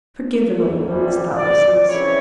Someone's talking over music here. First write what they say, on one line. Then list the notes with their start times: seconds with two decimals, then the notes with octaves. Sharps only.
Forgive an old woman's thoughtlessness.
0.82 C#2 C3 E3 G3
1.36 D5
1.89 C#3 E3 G3 C4 E4 C#5